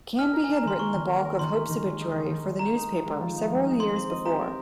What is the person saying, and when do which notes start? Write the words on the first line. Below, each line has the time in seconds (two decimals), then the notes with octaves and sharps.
Canby had written the bulk of Hope's obituary for the newspaper several years before.
0.18 D#4 F6
0.33 A#4
0.44 A#3 G#5
0.56 A#5
0.64 D#3 C6
0.78 A#3 C#6
0.94 D#3
1.09 A#4
1.24 A#4
1.39 D#3 C6
1.54 G4
1.70 D#3
1.85 G#3
2.00 D#4
2.15 D#3
2.30 D#3
2.44 G#3
2.59 G#3 A#5
2.74 D#4
2.90 G4
3.05 G#3
3.21 F3
3.36 D#4
3.50 G#3
3.66 D#4
3.80 C4 C6
3.95 C4 C6
4.10 D#5
4.25 G4 A#5
4.41 A#4